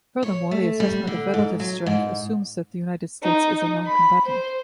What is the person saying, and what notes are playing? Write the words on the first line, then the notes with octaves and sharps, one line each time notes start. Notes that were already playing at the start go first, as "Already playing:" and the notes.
Furthermore, the assessment of relative strength assumes that the United States is a non-combatant.
C#5
A3
G3
D3
G#2
F#3
G#2
D#4
B5
C5